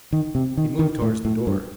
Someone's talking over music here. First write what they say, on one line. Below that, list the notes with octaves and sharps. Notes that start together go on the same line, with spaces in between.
He moved towards the door.
D#3
C3
D#3
D#3
A2
A2
G2